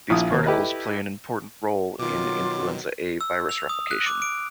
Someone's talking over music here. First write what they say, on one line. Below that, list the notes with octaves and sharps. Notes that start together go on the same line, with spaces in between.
These particles play an important role in influenza A virus replication.
A#1 A#2 E4 D#6
D#2 A#3
E4 G4 A4 B4 D#5
B2 D#3 F#3 F4 D6
E6
F7
D#6
F#6
D6
D7